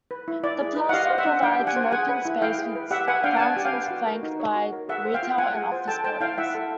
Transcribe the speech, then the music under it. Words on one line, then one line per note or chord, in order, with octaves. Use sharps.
The plaza provides an open space with fountains flanked by retail and office buildings.
B4
E4
E4 D5
G#4
B4
F#5
G4 D#5 F5
C5
E5 F#5
D4
D4 F5 G5
G4
F#5 G#5
C5
G#4 F#5 G#5
B4
E4
E4 F5 G5
G#4
B4
G4 E5 F#5
B4 F#5 G#5
D4 F5 G5
A5
D4 F#5 G#5
G4
F5 G5
B4
F#4
A#4
D#4
C#5
F#4
A#4
G#4 E5 F#5
C5
F5 G5
F4
F4 F#5 G#5
G#4
C5
A4 G5 A5
C5 G5 A5
E4 F5 G5
E4 E5 F#5
A4